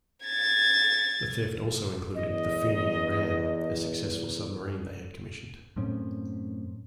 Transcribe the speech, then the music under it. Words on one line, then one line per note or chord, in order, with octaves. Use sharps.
The theft also included the "Fenian Ram", a successful submarine they had commissioned.
G#6 A6
E2 D#5
F#2 A2 C4 C#4